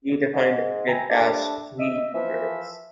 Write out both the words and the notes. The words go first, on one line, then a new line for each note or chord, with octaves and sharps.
He defined it as "tree eaters".
G#2
B4 E5 G5 G#5 A#5
G3 A3 C4 D4
D#5 E5
E3 F3 E5